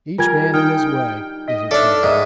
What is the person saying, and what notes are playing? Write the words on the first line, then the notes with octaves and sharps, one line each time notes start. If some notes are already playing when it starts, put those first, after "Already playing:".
Each man in his way is a treasure.
G3 F4 A#4 G#5 G#6
D#4 G5 F6
D#5 B6
D4 A4 C#5 D5 E5 F6
G#2 A#4 D#5